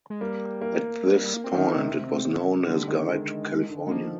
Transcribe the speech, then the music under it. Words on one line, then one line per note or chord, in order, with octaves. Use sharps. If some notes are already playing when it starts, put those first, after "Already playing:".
At this point it was known as "Guide to California".
G#3
G3 A#3
A#3
G#3
G3
G3
A#3
C4
D#3
C3
D3 G3
D#3
G#3
D3
D#3
G#3
F3 A#3